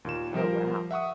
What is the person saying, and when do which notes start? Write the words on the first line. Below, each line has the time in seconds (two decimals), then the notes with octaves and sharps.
Oh, wow.
0.05 D#2 A#2 E7
0.34 F3 G3 A#4 C5
0.91 E5 F#5 C#6 D#6